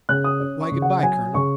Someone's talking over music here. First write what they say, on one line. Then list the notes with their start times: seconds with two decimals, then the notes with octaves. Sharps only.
"Why good-bye, Colonel?"
0.09 C#3 F#6
0.24 D#6
0.40 C#4
0.61 C#6
0.71 C#3
0.82 F#5
1.03 F#3 G#5
1.34 C#3 C#6